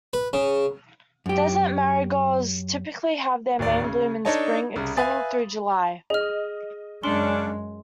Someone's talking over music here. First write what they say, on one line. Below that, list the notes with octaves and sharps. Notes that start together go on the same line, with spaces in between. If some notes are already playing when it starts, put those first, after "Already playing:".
Desert marigolds typically have their main bloom in the spring, extending through July.
B4
C#3
F#2 G4
D1 D#2 D5
C#3
D4 D#4 A4 C#5 D#5 A5
C2 C#3
B4 E5 F5 G#5 D#6 A6
G#4 D#5 F6
F#2 C#3 G#3 C#4 D4 C6